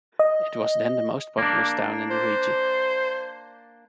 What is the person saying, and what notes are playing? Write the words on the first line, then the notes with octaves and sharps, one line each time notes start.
It was then the most populous town in the region.
D#5
A#3 D4
C5